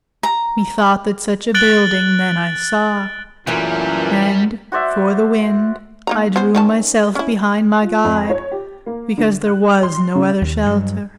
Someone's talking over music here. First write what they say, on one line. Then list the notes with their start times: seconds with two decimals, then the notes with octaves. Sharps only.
Methought that such a building then I saw; And, for the wind, I drew myself behind My Guide, because there was no other shelter.
0.23 A#5
1.54 F#6 A6 D7 F#7 G7
3.47 F#2 A#2 E3 G3 A3
4.72 F#4 C5 D5 E5
6.07 A#3 D#4 A#5
6.36 B3 C#4 C5
6.55 D#3 C#4 A5
7.15 C#4 E4
7.82 F4
8.04 F2
8.29 C#5
8.52 G4
8.86 A#3
9.18 D3
9.47 F#6
9.83 C6
10.15 C#3
10.42 D#2
10.66 G2 F#3